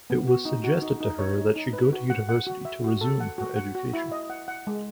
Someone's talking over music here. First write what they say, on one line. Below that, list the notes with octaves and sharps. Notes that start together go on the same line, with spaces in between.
It was suggested to her that she go to university to resume her education.
B3
F#4
D#4
F#4
D#4
D#4
C#5
D#4
D#4
B4
F#4
F#5
F#5
F#4
E5
F#4
A4
F#5
F#4
F#5
F#4
E4
D#5
F#5
F#5
G#3